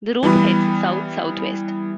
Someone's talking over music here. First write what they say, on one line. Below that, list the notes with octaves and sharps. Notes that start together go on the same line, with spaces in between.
The route heads south-south-west.
E3 G3 B3 B5